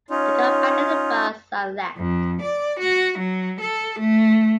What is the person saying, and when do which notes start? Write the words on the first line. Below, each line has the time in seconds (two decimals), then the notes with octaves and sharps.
They got back in the bus and left.
0.10 C#4 D#4 F4 C#5
1.97 F2
2.42 D5
2.80 F#4
3.18 F#3
3.61 A4
3.99 A3